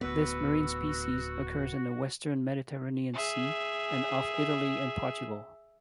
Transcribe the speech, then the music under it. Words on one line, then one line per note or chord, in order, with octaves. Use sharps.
This marine species occurs in the Western Mediterranean Sea and off Italy and Portugal.
D1 B3 F#4 B4 E6
G#4 E5